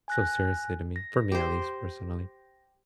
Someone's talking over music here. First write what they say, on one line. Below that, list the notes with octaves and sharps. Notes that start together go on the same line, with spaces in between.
so seriously to me for me, at least, personally.
G#5 F#6 A#6
A#6
G4 C5